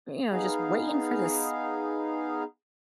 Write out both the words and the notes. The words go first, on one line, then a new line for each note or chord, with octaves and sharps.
you know, just waiting for this
B3 D#4 G#4 F5